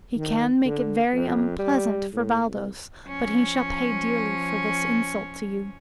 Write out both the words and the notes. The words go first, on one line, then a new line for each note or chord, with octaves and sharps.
He can make it very unpleasant for Baldos, but he shall pay dearly for this insult to you.
D#3
D3
F2
G3
A2
C2
F3 C#4